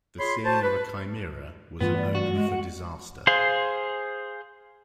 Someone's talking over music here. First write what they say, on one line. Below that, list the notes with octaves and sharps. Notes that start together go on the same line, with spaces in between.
The seeing of a Chimera was an omen for disaster.
F4 G#4 C#5 B5 C6
F#4 C5 A5
B4
G2 E3 A3 B3 F4
D5
F#4
G#3
F#5
G#4 C5 F5 C6